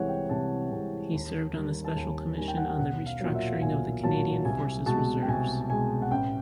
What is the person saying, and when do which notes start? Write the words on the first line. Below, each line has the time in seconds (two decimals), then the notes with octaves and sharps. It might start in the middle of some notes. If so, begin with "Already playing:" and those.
He served on the Special Commission on the Restructuring of the Canadian Forces Reserves.
Already playing: C2 C3 E3 G#3 C#5 F#5
0.09 G5
0.29 C2 A5
0.71 C3 E3 G#3
1.13 D#2
1.54 D#3 G3
1.84 A5
1.96 D#2 G#5
2.37 D#3 G3 G#5
2.48 G5
2.57 F#5
2.68 G5
2.79 B1 F#5
3.06 F5
3.20 A#2 F#3
3.35 E5
3.62 B1 G#5
4.03 A#2 F#3 A5
4.45 C2 G#5
4.86 B2 G#3 A5
5.23 G5
5.28 C2 G#5
5.70 B2 G#3 G#5
6.02 F#5
6.11 A1 G5